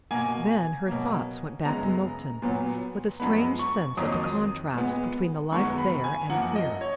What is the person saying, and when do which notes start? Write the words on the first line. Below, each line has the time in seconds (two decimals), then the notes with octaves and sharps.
Then her thoughts went back to Milton, with a strange sense of the contrast between the life there, and here.
0.11 B2 A#3 G#5
0.87 B2 F#3 A#3
1.65 F#2 C#3 G#3 B3 A#5
2.42 A#2 F#3 B3
3.20 F#2 F3 G#3 B3 B5
3.59 C#6
3.97 F2 D#3 F#3 A#3 D#6
4.12 D#6
4.74 A#2 G#3 B3
5.52 F#2 D#3 G#3 B3 C#6
5.78 B5
6.04 G#5
6.29 F#2 F3 A#3 F#5
6.56 D#5
6.81 C#5